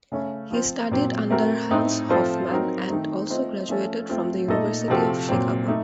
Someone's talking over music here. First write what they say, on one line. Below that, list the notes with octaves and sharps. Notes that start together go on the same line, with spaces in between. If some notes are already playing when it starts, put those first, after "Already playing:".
He studied under Hans Hofmann, and also graduated from the University of Chicago.
C#3 A3 C#4
F3 C4 F4 C5
A#2 F#3 C4
A3 C4 F#4 A#4
A2 A3 C4 D#4
F3 C4 F4 A4 C5
F#3 C4 D#4 F#4 A#4
D#3 A3 C4 D#4
A3 C4 F4 C5 D#5
F3 A3 C#4 A4
A3 C4 F4
A#2 A3 D#4 A4 D#5
C3 F3 C4 F#4 A4
A#2 F#3 C4
A3 D#4